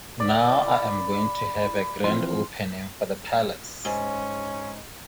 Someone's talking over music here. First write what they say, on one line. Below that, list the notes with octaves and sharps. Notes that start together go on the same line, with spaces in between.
'Now I am going to have a grand opening for the palace.
D5
B5
E3 F3 C4 C6
G#2 C#4